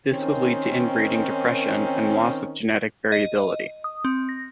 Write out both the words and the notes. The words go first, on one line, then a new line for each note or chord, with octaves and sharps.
This would lead to inbreeding depression and loss of genetic variability.
D#3 C4 C#4
D#5
D#6
C4
A#6